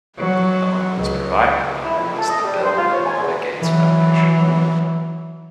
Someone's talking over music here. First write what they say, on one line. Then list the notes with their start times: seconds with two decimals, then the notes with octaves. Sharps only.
Among those providing the loan was the Bill and Melinda Gates Foundation.
0.17 F#3
0.96 C#2
1.85 E4
1.96 F2
2.18 A4
2.29 D#5
2.43 G3
2.62 C5
2.77 F4
2.92 C#5
3.06 G#5
3.20 E2
3.61 E3 F#3